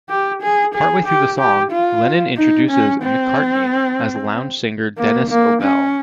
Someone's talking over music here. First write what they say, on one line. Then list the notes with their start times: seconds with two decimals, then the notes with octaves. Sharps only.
Partway through the song, Lennon introduces McCartney as lounge singer Denis O'Bell.
0.09 G4
0.42 G#4
0.74 G#4
1.07 G4
1.39 G4
1.72 F4
2.37 D#4
2.70 C#4
3.02 C4
4.97 A#3
5.30 A#3
5.62 C#4